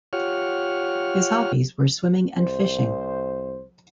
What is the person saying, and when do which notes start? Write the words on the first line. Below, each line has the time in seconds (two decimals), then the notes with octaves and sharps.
His hobbies were swimming and fishing.
0.13 F4 G4 C#5 F#5 F6
2.36 C2 C5